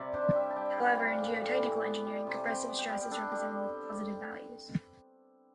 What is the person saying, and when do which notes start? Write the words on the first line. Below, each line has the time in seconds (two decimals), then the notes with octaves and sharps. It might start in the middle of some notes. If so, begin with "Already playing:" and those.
However, in geotechnical engineering, compressive stress is represented with positive values.
Already playing: C3 G3 D5 E5
0.14 D4 C5
0.35 G3 E5
0.51 A5
0.56 G3 G5
0.77 E3 G5
0.99 D4 F5
1.20 A2
1.41 G3
1.62 E3
1.84 B3
2.05 G3
2.27 C3
2.47 C3 G5
2.69 B3
2.79 G5
2.89 G3
3.11 D4 A4
3.32 G3